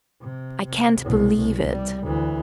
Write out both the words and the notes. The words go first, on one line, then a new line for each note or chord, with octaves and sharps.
I can't believe it!
C3
C3
C2 B2
C2
G3
D2 E3